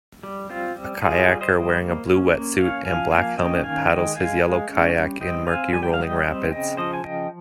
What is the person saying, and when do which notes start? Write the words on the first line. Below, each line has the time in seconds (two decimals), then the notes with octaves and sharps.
A kayaker wearing a blue wetsuit and black helmet paddles his yellow kayak in murky rolling rapids.
0.23 G3
0.50 C4 F4
0.76 G3
1.01 G3 F4 G#4
1.29 G3
1.41 C5 D#5
1.54 G3
1.81 A#3
2.06 C#4
2.32 A#3
2.58 C#4 C#5 F5
2.84 F3 F5 G#5
3.11 A#3 F5 G#5
3.37 C#4 D#5 G5
3.63 D#3 F5 G#5
3.90 G#3 D#5 G5
4.15 G#3 F5 G#5
4.42 G#3
4.69 C#4
4.94 G3
5.21 C4 D#5 G5
5.47 C4 F5 G#5
5.73 G3 G#5
5.83 G5
5.94 F5
6.00 G3 D#5 G5
6.26 C4
6.51 C#3 D#5 G5
6.77 F3 C5 D#5
6.93 G#5
7.04 C#3 D#5 G5